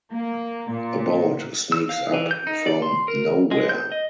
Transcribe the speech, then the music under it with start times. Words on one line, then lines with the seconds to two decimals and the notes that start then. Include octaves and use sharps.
A boat sneaks up from nowhere.
0.11 A#3
0.70 A#2
1.72 E6
1.89 F5
2.14 E3
2.31 G6
2.47 D#4
2.66 D5
2.82 C6
3.08 A#4
3.51 G#3
3.69 G6
3.92 D#5